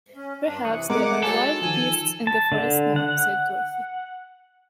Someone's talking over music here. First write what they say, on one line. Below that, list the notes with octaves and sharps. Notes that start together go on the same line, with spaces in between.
"Perhaps there are wild beasts in the forest now," said Dorothy.
C#4
G2 D4
C3 E3 C#6 D#6 F#6
G#3 A#4 F#5 D6
F#3 F#4 G#4 A4
D#3 F3 G#5 E6
A5
D3
F#5